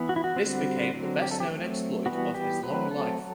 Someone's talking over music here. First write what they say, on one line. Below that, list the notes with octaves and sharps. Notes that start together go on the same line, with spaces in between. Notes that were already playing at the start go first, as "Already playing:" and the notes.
This became the best-known exploit of his long life.
Already playing: E3 B3
F#4
E4
F#4
D3 G3 C4
D3 F#3 C4
G4
A4
G4
F#3 A3 C4
E3 G3 B3 F#4
G4
F#3 A3 C4 B4
A4
F#3